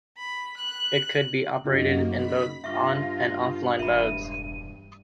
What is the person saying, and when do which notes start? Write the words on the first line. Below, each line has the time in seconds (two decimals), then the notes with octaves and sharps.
It could be operated in both on- and off-line modes.
0.17 B5
0.57 F#6
1.65 F#2 C#3 A#3 D#4 F#4
2.07 B5 B6
2.64 G2 F4 E5 C#6 A#6
3.79 E1 E5 B5 D#7